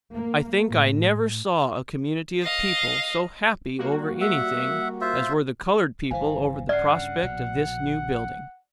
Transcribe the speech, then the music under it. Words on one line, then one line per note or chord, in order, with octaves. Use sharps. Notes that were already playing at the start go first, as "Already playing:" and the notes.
I think I never saw a community of people so happy over anything as were the coloured people over the prospect of this new building.
A#3
A2
D#5 F5
G3 A#3 F#4
E5 F#5
F4 C5 E5
G1 A#2 E3 C5 F5 G#5
G2 C#3 D5 F#5 F6 C7
A#1 B2